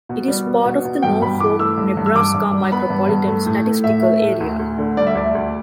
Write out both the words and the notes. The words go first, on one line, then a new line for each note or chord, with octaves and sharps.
It is part of the Norfolk, Nebraska Micropolitan Statistical Area.
B2
G3
B3
B2
B2
G2 G5
G2 B5
E3 D6
A3 E6
G2
G2
E6
G2 D6
G2
G3
B3 B5
G2
G2
A3
A2
A3
A2 E5
A3
A2
D2
D2
D3
G3 D5
E5
D2 D5
D2